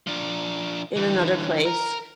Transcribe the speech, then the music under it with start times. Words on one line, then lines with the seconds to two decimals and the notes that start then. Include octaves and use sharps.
in another place.
0.07 F3 D4
0.96 D3 E3
1.65 A#4